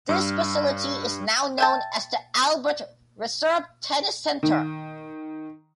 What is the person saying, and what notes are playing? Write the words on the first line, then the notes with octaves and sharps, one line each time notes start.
This facility is now known as the Albert Reserve Tennis Centre.
G2 E6 F6
E5 G5 A5
D#3